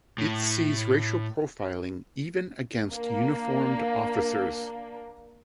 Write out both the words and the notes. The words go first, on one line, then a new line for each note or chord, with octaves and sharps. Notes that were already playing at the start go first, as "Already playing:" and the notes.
It sees racial profiling even against uniformed officers.
A2
A#3 D4